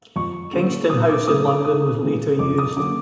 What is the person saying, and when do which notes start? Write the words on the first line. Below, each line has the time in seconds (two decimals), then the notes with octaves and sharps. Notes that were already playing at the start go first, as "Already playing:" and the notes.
Kingston House in London was later used.
0.16 F2 C#6
0.53 D3 G3 A#3 C#4
0.90 B2 D#6
1.09 D6
1.27 F#3 A3 C4 D#6
1.46 D6
1.65 G#2 D#6
2.02 E3 G#3 B3
2.39 F2 D6
2.58 D#6
2.76 D3 F#3 A#3 C#4 D6